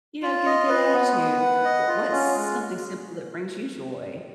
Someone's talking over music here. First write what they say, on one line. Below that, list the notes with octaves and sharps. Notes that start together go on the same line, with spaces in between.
you know, get a good attitude. W what's something simple that brings you joy?
F4
D#5
B4
B3
B4
F#5
D#5
F4
C#4
G#3